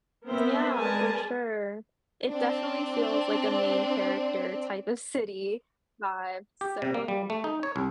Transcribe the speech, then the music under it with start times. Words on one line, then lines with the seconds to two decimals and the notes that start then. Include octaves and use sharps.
Yeah, for sure. It definitely feels like a main character type of city vibe, so,
0.27 B3 C4 A#4 C5 E5
0.75 G#3 A#4 B4 D5 G#5 A5
2.28 C4 D4
6.61 G4
6.82 C3
6.94 A#3
7.08 G3
7.30 A3
7.44 D#4
7.63 C#5
7.76 C2